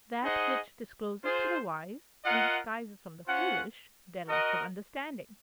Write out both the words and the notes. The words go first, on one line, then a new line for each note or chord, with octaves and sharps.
That which discloses to the wise and disguises from the foolish their lack of understanding.
D#4 G#4 C5 D#5 F#5
F4 G#4 C5
F4 A#4 D#5 F#5
C#4 F4 C5 F#5
F#4 A#4 D#5 F#5